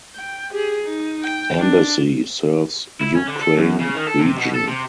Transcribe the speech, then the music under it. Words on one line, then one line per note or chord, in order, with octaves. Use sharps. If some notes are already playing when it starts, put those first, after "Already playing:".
Embassy serves Ukraine region.
G5
G4 G#4
D#4
G5
D4
E4
C#4
D3
A4
F#2
C#3
D#3
A4
C3
B2
A4
C3